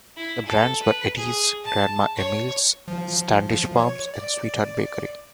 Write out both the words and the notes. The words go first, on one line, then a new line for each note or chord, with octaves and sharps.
The brands were Eddy's, Grandma Emile's, Standish Farms and Sweetheart Bakery.
E4
A4
B4
G#4
A5
C#5
F3
C#5
D5